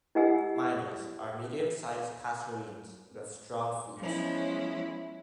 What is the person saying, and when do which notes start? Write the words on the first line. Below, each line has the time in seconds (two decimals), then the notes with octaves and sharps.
Mynas are medium-sized passerines with strong feet.
0.15 E4 G4 D#5 F#5 G#5 E6
3.97 F3 G#3 B3 C#4 E4